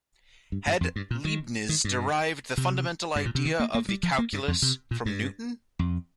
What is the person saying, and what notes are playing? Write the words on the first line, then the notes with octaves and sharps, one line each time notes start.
Had Leibniz derived the fundamental idea of the calculus from Newton?
G2
G2
F2
G2
A#2
D#3
D#3
G2
C3
G2
A#2
C3
D#3
A#3
A#3
G3
F3
A#3
G2
F2
C3
A#2
G2
F2